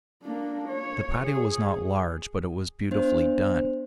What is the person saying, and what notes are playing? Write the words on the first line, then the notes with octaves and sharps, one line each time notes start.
The patio was not large, but it was beautifully done.
A#3 D4
C#5
G#4
B3 D4 C5